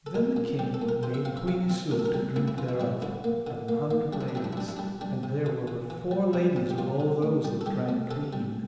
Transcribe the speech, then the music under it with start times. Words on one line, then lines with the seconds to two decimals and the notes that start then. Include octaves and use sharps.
Then the king made Queen Isoud to drink thereof, and an hundred ladies, and there were but four ladies of all those that drank clean.
0.06 A4
0.14 A#2 A#4
0.37 A#2
0.59 G3 G4
0.74 A4
0.82 A#2
0.89 A#4
1.03 C3 C5
1.14 E5
1.25 C4 F5
1.37 E5
1.47 C3 F5
1.70 C4 E5
1.91 A2 A#4
1.99 A4
2.06 A#4
2.14 G3
2.36 A2 E4
2.48 E4
2.58 E3 F4
2.69 E4
2.80 G3 E4
3.02 D3 E4
3.24 A#3
3.47 D3
3.69 A#3
3.91 A#3
4.13 G3 D4
4.21 E4
4.28 D4
4.35 G3 E4
4.44 D4
4.53 E4
4.57 G3 D4
4.69 E4
4.77 G3 D4
5.01 G3 D4
5.23 C3
5.46 E3
5.68 E3
5.90 E3
6.11 G3
6.33 C3 E4
6.56 C3
6.71 G4
6.78 G3 F4
7.00 C3
7.22 A2
7.45 G3
7.61 A4
7.66 G3 G4
7.89 A2
8.11 C3 A4
8.33 G3